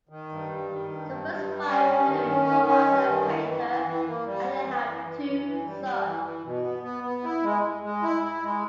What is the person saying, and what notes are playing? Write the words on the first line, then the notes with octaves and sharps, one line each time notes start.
Soper's wife Hilary is a wildlife painter, and they have two sons.
D#3
G2
G3
D#3
G2
G2
G2
G3
C#4
G2
D#3
C#4
D#3
C#4
G2
D#3
E3
E3
E3
E3
A#3
G3
G3
E3
E3
E3
E3
E3
G3
G3
E3
E3
B2
B3
B3
B3
E4
G#3
G#3
G#3
E4
E4
G#3